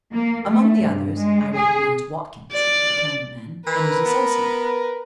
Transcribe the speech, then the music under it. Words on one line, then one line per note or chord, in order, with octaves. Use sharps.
Among the others I recognized Watkins, the camera man, and his associate.
A#3
A3
G2
G#3
G#4
D5
E3 A#4 B4
B3